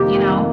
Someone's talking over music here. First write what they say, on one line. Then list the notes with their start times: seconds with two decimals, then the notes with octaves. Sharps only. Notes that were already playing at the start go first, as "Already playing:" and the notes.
you know?
Already playing: F2 C3 D#3 A#3 G4